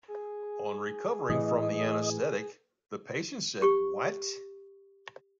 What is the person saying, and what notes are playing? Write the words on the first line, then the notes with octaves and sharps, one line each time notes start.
On recovering from the anaesthetic, the patient said What?
G#4
A2 E3 D#5
G4 C#6